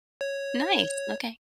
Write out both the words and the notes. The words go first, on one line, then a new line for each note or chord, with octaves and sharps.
Nice, okay.
C#5